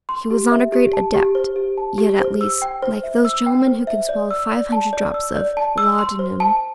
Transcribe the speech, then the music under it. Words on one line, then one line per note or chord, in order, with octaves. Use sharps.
He was not a great adept--yet, at least--like those gentlemen who can swallow five hundred drops of laudanum at a sitting.
C6
G4
E5
G4
A5
G4
C5
G4
A5
G4
C5
E6
G5
C5
E5
E6
G5
C5
E5
D5
E6
D5
A5
D5
E6
D5
A5
E6
C6
C5
A5